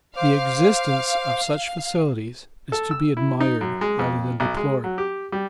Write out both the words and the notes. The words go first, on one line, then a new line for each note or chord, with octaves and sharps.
The existence of such facilities is to be admired rather than deplored.
C5 F5 D6
A4
E6
E4
D#4
F#2
G#3
F2
B1
G#3
F#3
G4
G3